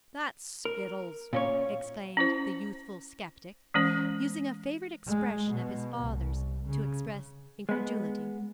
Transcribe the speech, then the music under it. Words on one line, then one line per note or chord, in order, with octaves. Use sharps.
'That's skittles!' exclaimed the youthful sceptic, using a favourite expression of his father's to express incredulity.
A#4
A#2 C#4 C#5
C#4 E4 C5
E3 G#3 C#4 C5
G#3
B2
C2
C#3
G#3 B3